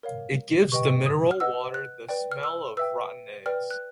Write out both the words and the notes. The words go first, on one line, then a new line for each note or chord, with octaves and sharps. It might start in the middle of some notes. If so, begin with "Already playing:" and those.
It gives the mineral water the smell of rotten eggs.
A#4 C#5 F5
G4 B4 D#5 G5 C#6
D#6
F6
B4 D#5 F#5 E6
F#6
B4 D5 G5
F6
E6
B4 E5 G5 E6
B4 D5 G5 F6
F#6